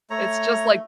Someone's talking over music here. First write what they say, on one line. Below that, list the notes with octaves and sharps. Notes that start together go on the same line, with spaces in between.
it's just like,
A3 C#5 A#5